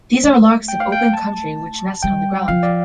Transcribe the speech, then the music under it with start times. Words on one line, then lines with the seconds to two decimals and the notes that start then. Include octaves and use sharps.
These are larks of open country which nest on the ground.
0.23 A3
0.68 G5
0.80 F5
0.92 G5
1.13 A5
2.03 G3 G5
2.48 F3 F5
2.63 D5